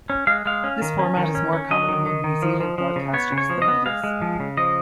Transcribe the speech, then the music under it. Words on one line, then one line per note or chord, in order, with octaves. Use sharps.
This format is more common among New Zealand broadcasters than others.
C#4
G#3 F5
G#3 F5
C#4
D#3
C#4
D#3
C#4
C#4
F#3 D#5
D#3
D#3
D#3
F3
F3
F3
C#3
B3 C#5
C#3
C#5
F3
D#5
B3
G#3 F5
G#3
F3
C#3
F3 D#5